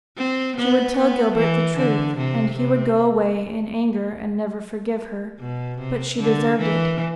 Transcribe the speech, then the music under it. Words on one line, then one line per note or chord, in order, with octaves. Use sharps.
She would tell Gilbert the truth, and he would go away in anger and never forgive her, but she deserved it.
C4
B3
B3
E3
D3
C3
C3
B2
C3
D3
E3